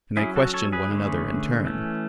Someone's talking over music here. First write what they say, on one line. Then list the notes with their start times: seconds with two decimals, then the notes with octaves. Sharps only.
And they questioned one another in turn.
0.17 F#3 C#4 E4 G#4
0.36 F#4 A4
0.54 A4 C#5
0.72 G#4 B4
0.91 D3 A3 C#4
1.65 E3 A3 C#4